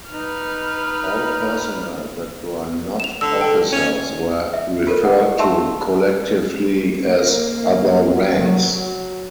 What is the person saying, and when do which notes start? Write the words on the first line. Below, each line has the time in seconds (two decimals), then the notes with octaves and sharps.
All personnel that were not officers were referred to collectively as "other ranks".
0.11 D#4 B4 F6
3.00 E7 F7
3.21 D3 E6
3.41 A4 G5
3.73 C#4
4.53 E5
4.87 F4 A4 A#4 C5
5.05 F#5
5.38 E4 G4 E5 A5 C6 E6
7.05 A#3
8.38 F#3